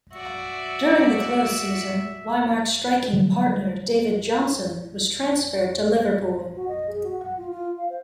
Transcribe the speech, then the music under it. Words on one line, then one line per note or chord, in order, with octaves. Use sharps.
During the close season Whymark's striking partner David Jonson was transferred to Liverpool.
F#4 D5 E5
D3 F#3 G3 A3
F#4
D#5
G#4
F#4
F#5
F4
F4
F5
C5